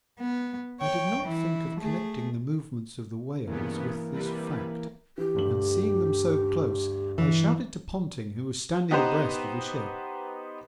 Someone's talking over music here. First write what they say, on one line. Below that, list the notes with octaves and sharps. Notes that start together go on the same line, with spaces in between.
I did not think of connecting the movements of the whales with this fact, and seeing them so close I shouted to Ponting, who was standing abreast of the ship.
B3
C#5 G5
E3 E4
A3 G#4
G2 C#3 E3 A#3 B3
C3 G3 B4
E3 G4
D2 G2 F#7
E3
B3 D#4 G4 B4 C5 A#5